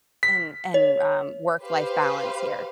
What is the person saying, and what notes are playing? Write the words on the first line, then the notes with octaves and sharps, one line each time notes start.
and and, um, work life balance here?"
B6
C#5
G4 B4 C5 F5